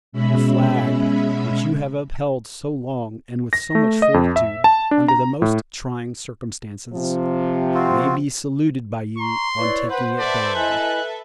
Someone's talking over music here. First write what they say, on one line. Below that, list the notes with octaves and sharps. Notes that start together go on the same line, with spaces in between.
The flag which you have upheld so long and with so much fortitude, under the most trying circumstances, may be saluted by you on taking it down.
B2 G#3 C#4 E5 B5
A#6
A3
D#5
F2
E5
A5
D4
A#5
A2
C3 F3
C4 F4 F#4
A#5 C6 C#6
E4 B4 C#5 D5
B4 C5 F#5
A4 B4 D5 E5
E4 D#5 G#5 F#6